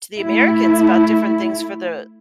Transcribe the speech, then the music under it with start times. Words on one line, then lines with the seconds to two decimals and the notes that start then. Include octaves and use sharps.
to the Americans about different things for the
0.20 A3 E4